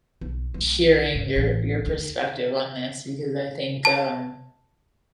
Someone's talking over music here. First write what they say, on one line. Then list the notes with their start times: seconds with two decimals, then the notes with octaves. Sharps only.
hearing your your perspective on this because I think, um,
0.21 B1
0.54 B1 G#3
1.15 G#2
1.36 A1
1.86 D2
3.85 A5